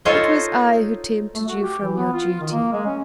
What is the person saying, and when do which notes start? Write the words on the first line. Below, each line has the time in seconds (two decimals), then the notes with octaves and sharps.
It was I who tempted you from your duty.
0.05 D#4 F4 A4 C5 C#5 D#5
1.35 A3
1.48 F#4
1.63 G4
1.82 E3
1.97 B3
2.13 F4
2.40 D#3
2.52 A#3
2.73 G#3
2.86 C#4